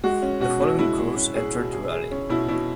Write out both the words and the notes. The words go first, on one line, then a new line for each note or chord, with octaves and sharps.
The following crews entered the rally.
G#3 F#4
C#4
B2 F#4
B2
G#3 E4
G#4
C#4
G#4
B2
G#4
G#4
C#4
B2 E4
B2 E4